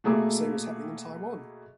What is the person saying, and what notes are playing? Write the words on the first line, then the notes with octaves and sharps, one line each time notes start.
The same was happening in Taiwan.
B2 A3 A#3 G#4 E5 D6